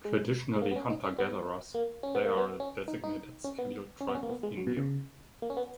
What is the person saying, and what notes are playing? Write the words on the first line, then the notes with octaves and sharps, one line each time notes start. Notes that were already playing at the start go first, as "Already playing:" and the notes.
Traditionally hunter-gatherers, they are a designated Scheduled Tribe of India.
G#3
G#3
A#3
B3
C#4
D#4
C#4
B3
A#3
C#4
B3
A#3
B3
C#4
D#4
D#4
C#4
B3
C#4
B3
C#4
A#3
B3
G#3
F#3
B2
C#3
A#3
C#4
B3